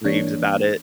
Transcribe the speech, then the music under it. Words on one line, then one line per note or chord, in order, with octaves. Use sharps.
raves about it?
E3 A#3 D4 C#5